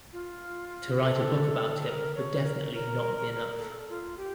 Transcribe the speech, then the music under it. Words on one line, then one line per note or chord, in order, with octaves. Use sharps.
To write a book about him would definitely not be enough.
F4
A4
A4
A#4
C#5
A#4
A#4
A4
F4
G4